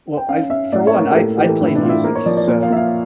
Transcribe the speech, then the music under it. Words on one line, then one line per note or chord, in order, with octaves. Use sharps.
Well, I for one, I I play music, so
G5
C#4 F5
C#4 E5
A2 D5
C#5
A#3
G4
A2 A4
E3 G4
A4
A2 D4
E4
D4
A2 F4
E4
A#3 A#4
C#5
F3 D5
D5
A#2
F5
A#2 E5
F5